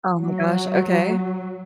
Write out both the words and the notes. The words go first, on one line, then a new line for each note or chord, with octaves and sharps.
Oh, my gosh. Okay.
F#3